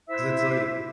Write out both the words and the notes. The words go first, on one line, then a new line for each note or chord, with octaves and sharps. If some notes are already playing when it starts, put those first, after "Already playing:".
'Cause it's, like
E4 C5 E5 E6